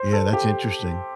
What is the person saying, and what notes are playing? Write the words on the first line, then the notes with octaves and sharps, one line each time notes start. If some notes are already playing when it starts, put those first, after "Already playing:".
Yeah, that's interesting.
Already playing: C5
A4
G4